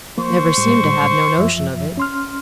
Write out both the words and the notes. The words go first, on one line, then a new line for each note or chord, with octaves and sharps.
Never seemed to have no notion of it.
F3 A#3 C5 C#6
A2 G3 G#3
F#2 F3 E5
C#4 C6 F6